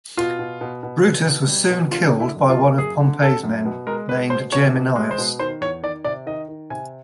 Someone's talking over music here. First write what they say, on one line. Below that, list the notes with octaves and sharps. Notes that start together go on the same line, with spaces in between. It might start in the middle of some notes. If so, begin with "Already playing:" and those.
Brutus was soon killed by one of Pompey's men, named Geminius.
B2 F4
B2
B2
B2
B2
B2
G3
B2
D3 F4
D3
E4
F#2
F4
A#3
F#2 G#4
D3
D3 A4
F#2
B2
G#3 A#4
G#3 B4
B2 C5
B2 C#5
B2
G#3
C5
B2
D#3 C5
E2 C#5
D#3 D5
C3 D5
D#3 D#5
D#3
C3 G#5